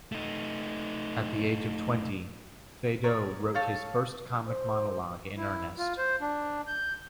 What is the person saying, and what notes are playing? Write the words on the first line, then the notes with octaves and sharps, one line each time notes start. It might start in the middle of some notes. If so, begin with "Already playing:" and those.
At the age of twenty, Feydeau wrote his first comic monologue in earnest.
A3 D#4
A#4 C#5 D5
A4 C#5 F5 G6
C5
E4
F4
C5
D4
G6